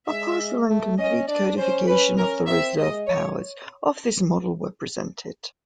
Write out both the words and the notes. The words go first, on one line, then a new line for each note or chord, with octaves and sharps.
A partial and complete codification of the reserve powers of this model were presented.
G#3 E5
A3
C#4 D#5
D4 D5
C#4 C5
C#4 B4
C#4 A#4
C4 E5
G#3 D#5
C#5